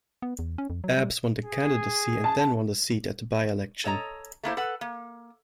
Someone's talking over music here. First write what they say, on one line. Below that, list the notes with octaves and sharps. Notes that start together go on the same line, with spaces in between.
Abse won the candidacy and then won the seat at the by-election.
B3
E2
C#4
F2
F#3
G3
G#4
A5
A4 C#5 D#5 A#5
A3 A#3 E4 C5
A4 B4 F#5
A#3